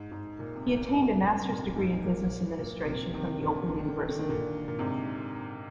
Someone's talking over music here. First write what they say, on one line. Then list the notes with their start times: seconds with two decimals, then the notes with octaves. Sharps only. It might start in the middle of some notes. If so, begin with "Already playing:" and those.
He attained a master's degree in business administration from the Open University.
Already playing: G#2
0.12 G#2
0.39 A#2
0.55 C3
0.67 A#2
0.94 G#2 C3
1.42 C3
1.49 A#2
1.76 G#2
2.04 A#2
2.59 A#2
2.82 C3
2.87 A#2
3.14 C3 D#3
3.41 A#2 D3
3.69 D3
3.79 D#3
3.89 D3
3.99 D#3
4.09 D3
4.19 D#3
4.29 A#2 D3
4.68 A#2
4.79 G#2 C3